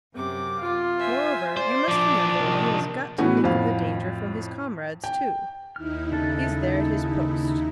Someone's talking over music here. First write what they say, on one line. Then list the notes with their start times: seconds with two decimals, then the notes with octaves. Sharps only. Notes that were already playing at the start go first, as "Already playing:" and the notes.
Moreover, you must remember that he has got to think of the danger from his comrades too. He's there at his post.
0.14 F#2 C3 D6
0.59 F4
0.99 C5 E5 G#5
1.57 C5 D5
1.88 F3 D4 D6
2.38 C3 D#3
3.18 A2 E3 A3 B3 C#4 F#4
3.44 F2 A2 F5
5.04 G5
5.76 D#2 D#4 E4 F6
6.12 C#3 D4 A4